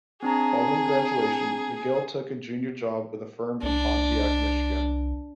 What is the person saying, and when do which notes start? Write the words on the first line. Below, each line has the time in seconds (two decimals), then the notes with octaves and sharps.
Following graduation, MacGill took a junior job with a firm in Pontiac, Michigan.
0.23 C4 D4 G#4 A#5
3.63 C2 D4